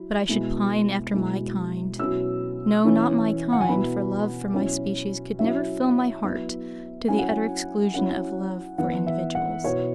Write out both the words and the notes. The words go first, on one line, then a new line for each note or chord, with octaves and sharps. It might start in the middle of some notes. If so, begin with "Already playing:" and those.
But I should pine after my kind; no, not my kind, for love for my species could never fill my heart to the utter exclusion of love for individuals.
Already playing: F#3 E4
B2 G#3 B3 E4
B2 G#3 E4
B2 F#3 C#4 E4 E6
E3 C#4 E4
F#5
G#5
B2 B3 E4 B5
B2 F#3 C#4 E4
F#3 C#4 E4 E5
F#3 B3 E4
F#3 C#4 E4 G#5
F#5
G#5
F#3 C#4 E4 F#5
E3 B3 E4 F#5
E5
F#5
B2 B3 E4 C#5